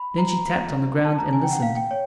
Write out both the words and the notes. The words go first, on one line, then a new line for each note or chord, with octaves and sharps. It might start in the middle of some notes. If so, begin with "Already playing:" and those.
Then she tapped on the ground and listened.
Already playing: B5
A#5
A5
A#5
G#5
G5
F#5
F5
G5
C#5